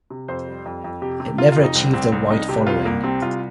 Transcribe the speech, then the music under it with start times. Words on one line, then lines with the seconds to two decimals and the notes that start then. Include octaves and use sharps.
It never achieved a wide following.
0.10 C3
0.28 F2 C5
0.47 G3
0.66 F2
0.84 F2
1.02 C3 G4
1.20 C3
1.38 C3 F4
1.52 F2 F4
1.63 D#4
1.75 C2 C4
1.93 C2 C4
2.12 C2 C4
2.30 C2 D#4
2.49 C3 G4
2.67 C2 F4
2.85 C2 A#3
3.04 C3 C4
3.22 C2 F4